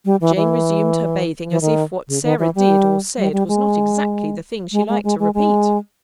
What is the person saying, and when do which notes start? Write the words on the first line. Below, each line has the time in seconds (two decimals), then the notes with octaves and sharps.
Jane resumed her bathing, as if what Sarah did or said was not exactly the thing she liked to repeat.
0.05 G3
0.21 E3
0.36 E3
1.50 E3
1.61 D#3
2.08 C#3
2.23 D#3
2.39 E3
2.55 G3
3.17 G3
3.33 G3
3.48 G#3
4.72 G#3
4.88 G#3
5.04 G#3
5.19 G#3
5.34 G#3